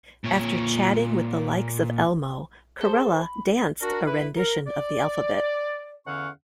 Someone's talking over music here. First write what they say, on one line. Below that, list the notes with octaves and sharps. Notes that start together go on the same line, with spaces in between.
After chatting with the likes of Elmo, Corella danced a rendition of the alphabet.
A#2 C#5
G#4 A4 C5
B5
D4 F#4 A#4
E4 B4
A#4
D5
E2 D3 C#4 F5 F#5 C#6